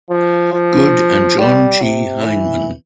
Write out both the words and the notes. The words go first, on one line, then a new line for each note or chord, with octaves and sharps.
Good and John G. Heimann.
F3
F3
G3
C3
E3